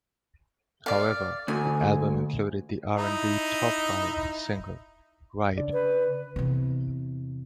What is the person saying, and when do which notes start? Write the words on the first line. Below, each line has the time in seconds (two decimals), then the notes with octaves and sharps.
However, the album included the R and B top-five single "Ride".
0.86 D5 F5
1.48 D2 G#5
2.96 D#4 E4 D#5
5.58 C#3 D4 D5
5.73 B4
6.36 E2 C3